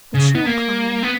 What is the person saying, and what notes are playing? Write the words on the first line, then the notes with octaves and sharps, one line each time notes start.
But she'll come.
C#3
B3
A#3
B3